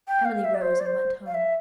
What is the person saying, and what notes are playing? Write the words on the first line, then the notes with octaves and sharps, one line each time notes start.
Emily rose and went home.
G5
F5
E5
D5
C5
D5
C5
F5
E5